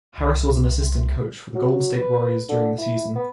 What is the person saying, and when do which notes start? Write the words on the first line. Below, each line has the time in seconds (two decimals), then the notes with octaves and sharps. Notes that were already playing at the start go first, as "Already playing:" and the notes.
Harris was an assistant coach for the Golden State Warriors during the season.
0.18 C2
1.55 F#3
1.97 B4
2.49 D3
2.78 E4
3.15 B3